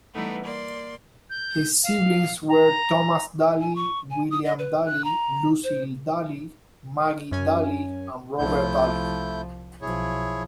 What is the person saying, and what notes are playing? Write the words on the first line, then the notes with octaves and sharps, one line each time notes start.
His siblings were Thomas Daly, William Daly, Lucy Daly, Maggie Daly, and Robert Daly.
E3 G3 A3 B3 D#4
A#3 D5 C6
G6
F5
A#5
G#5
C#6
G#5
D#6
D#5
B4
F#6
A#5
C5
F#2 C#4 G#5
C2 F3 A3 E4 G6
B1 F3 E4 G#4 C#5